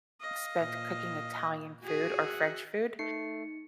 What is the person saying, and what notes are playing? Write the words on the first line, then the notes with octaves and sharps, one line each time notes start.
spent cooking Italian food or French food,
D#5 F5
A#2
F#4 G#4
E5 F#5
A3 D#4 C7 C#7